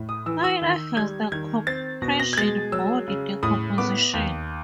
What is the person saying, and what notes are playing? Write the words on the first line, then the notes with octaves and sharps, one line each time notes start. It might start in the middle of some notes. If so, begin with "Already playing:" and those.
Neither has the compression-body decomposition.
Already playing: A2
D#6
E3 E6
E6
D#3
G3 G#6
D#3 G#6
C4 A6
B2 A#6
A#6
G#6
G#3 A6
F#3 E6
C#3
A2 D#6
B3 D6
D#2